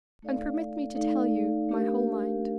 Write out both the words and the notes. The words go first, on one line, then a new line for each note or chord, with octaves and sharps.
And permit me to tell you my whole mind.
A3 D#4 A4 D5 F5
A3 D#4 A4 D5 F5
A3 D4 G4 A#4 F5